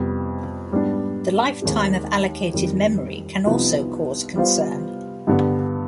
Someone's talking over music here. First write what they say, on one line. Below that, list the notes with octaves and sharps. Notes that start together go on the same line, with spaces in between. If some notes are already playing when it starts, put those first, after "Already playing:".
The lifetime of allocated memory can also cause concern.
Already playing: F2 C3 G3 B3
G#2 G3 B3 D4
D#2 D#3 G#3 C4 G4
F2 D#3 G3
C2 C3 F3 B3 D#4
G3 B3 F4 C5 F5
G2 D3 G3 B3